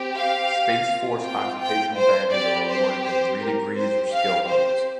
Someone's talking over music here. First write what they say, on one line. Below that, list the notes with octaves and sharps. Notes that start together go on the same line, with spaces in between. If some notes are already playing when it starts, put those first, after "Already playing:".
Space Force occupational badges are awarded in three degrees or skill levels.
Already playing: C4 G4
F5
C4 F4
G5
G5
C5
C4 G4 D5
C5
C5
A#4
C4 G4 C5
F5
C5